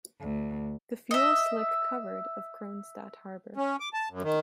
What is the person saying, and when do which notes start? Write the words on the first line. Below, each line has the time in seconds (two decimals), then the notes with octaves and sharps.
The fuel slick covered of Kronstadt harbor.
0.20 D2
1.11 D#5 E5
3.56 C#4
3.80 D6
3.93 A5
4.10 F#2
4.22 D#3